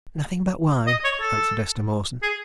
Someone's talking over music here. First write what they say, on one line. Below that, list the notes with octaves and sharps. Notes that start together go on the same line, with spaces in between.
"Nothing but wine," answered Esther Mawson.
D#5
C#5
A4
G#4